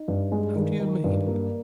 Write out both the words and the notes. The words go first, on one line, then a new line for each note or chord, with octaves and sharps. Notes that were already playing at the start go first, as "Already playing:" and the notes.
"How do you mean?"
Already playing: D#4
G2
G#3
D#3
D#3
G2
A#3